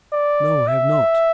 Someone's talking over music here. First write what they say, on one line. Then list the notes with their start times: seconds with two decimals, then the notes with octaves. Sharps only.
"No, I have not."
0.13 D5
0.68 E5